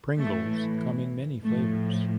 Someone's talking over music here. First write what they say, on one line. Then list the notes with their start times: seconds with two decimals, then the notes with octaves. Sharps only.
Pringles come in many flavors.
0.18 A2 E3 A3
1.43 A2 F3 A3